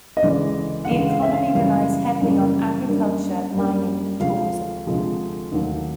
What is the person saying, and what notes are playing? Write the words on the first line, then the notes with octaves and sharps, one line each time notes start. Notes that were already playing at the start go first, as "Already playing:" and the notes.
The economy relies heavily on agriculture, mining and tourism.
D#5
D2 C#3 E3 G#3 D5
F#5
D2 C#3 E3 G#3 F5
F5
E5
F5
F#2 C#3 E3 G3 A#3 F5
F#2 C#3 E3 G3 A#3
F#2 D3 G3 A#3
F#2 D3 G3 A#3
D2 C3 F3 G#3 F5
D2 C3 F3 G#3
D#2 D#3 F#3 A3